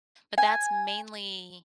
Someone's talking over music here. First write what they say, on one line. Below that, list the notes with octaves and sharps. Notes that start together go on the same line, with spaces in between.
But that's mainly,
G#5